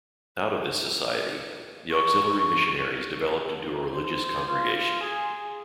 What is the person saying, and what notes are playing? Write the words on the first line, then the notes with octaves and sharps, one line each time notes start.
Out of this society, the auxiliary missionaries developed into a religious congregation.
C#6
C5
F4
G#4